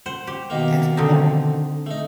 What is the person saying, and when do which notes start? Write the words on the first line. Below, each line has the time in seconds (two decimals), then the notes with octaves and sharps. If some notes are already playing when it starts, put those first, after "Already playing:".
That's yeah.
0.06 C5 F#5
0.27 G4
0.50 B2 D#3 A#3
0.97 D3 C4 D#4
1.86 A3 D#4